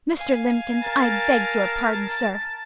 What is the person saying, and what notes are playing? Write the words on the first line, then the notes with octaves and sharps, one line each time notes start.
'Mr. Limbkins, I beg your pardon, sir!
F5 G#5
A#4 A5